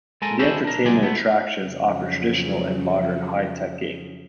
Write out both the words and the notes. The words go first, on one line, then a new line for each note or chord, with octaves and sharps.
The entertainment attractions offer traditional and modern, high-tech games.
G#3 A4 A#4 G#5
D4 E4 F#4 G#4 A4 C5
D4 A#4
D2 B2 F#3 G#3 D5 G#5
A3 B3
F2 C#3 F#3